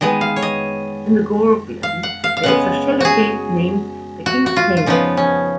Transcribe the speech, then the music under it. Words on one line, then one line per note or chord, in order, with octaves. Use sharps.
In the Gore Glen there is a shallow cave, named "The King's Cave".
D#3 G#3 B3 D#5
F5
C#5
D#5
F5
F#5
F5
F5
C#3 G#3 B3 F#5
F#4 G#4
F#4
F#4
F4
F4
C#3 F3 B3 D#4
C#4